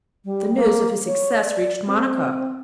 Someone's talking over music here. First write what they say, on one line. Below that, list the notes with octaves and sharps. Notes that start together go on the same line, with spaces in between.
The news of his success reached Monica.
G3
A#3
C#5
D5
C4